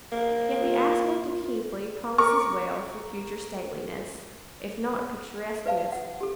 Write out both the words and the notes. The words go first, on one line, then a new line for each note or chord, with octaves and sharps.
Yet the aspect of Keighley promises well for future stateliness, if not picturesqueness.
A#3
F4
A#4 C#6 D6
B4 D5 F5 A5
F#5
G4 A4